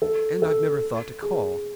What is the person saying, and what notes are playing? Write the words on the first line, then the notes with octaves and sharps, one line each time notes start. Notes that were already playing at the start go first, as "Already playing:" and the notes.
And I've never thought to call.
A4
A4
G#4